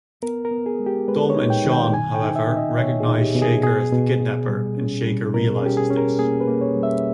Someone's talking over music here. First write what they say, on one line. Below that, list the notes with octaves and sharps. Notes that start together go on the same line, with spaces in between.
Tom and Sean, however, recognize Shaker as the kidnapper, and Shaker realizes this.
B3 A#4
A#4
B3
G#4
G#3
G4
G#3 B4
C#5
D#4
G5
D#3
G5
B2 G#5
G5
D#4
E5
D#4
D#5
B2 C#5
G#4
D#4
G4
B2
G#4
B2 G#4
B2
B2
G3
C#4
G3
B2 A#4
G#4
C#4 G4
G#4
C#4
A#4
A#3 G#4
B4
A#3
C#5
G3
E5